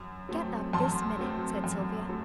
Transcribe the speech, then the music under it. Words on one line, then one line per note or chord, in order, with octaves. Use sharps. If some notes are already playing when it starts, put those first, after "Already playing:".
"Get up this minute," said Sylvia.
Already playing: F#2
F#3 A3 C4
F#2 A5 C6
F#3 A3 C4
F#2
F#3 A3